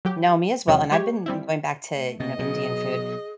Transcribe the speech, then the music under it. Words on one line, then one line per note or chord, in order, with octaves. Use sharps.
No, me as well and I've been going back to, you know, Indian food.
F#3 G4
E2 C3 F#3 G#3 C#4
G#3 G4 C#5
G3 C4 E4
A3
B2 A#3 D#5
B2 F#3 G#4